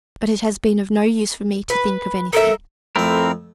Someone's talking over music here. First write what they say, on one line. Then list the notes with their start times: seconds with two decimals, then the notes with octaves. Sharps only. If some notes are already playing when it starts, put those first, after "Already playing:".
But it has been of no use for me to think of anything.
1.70 B4
2.33 A4 A#4 E5
2.96 F2 A3 C4 E4 A#4